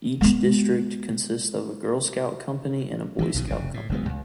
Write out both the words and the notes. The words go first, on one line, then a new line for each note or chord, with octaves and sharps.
Each District consists of a girl scout company and a boy scout company.
G#3 B3
D#3 E3 F#3
B1 B2 D#3
F1 C#3
A2
F1 D2 G#3 B3
C#2